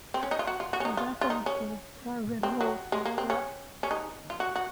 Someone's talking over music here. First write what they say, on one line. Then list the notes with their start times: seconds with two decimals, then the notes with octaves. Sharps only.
The references were removed as well.
0.14 C4
0.23 C#4
0.31 D#4
0.39 F4
0.47 F#4
0.60 F4
0.73 F#4
0.80 C#4
0.85 D#4
0.97 F4
1.21 F4
1.30 D#4
1.46 C#4
2.43 C4
2.61 F#3
2.92 G#3
3.05 A#3
3.18 C4
3.30 C#4
3.83 C#4
3.91 D#4
4.30 F4
4.40 F#4
4.56 F#4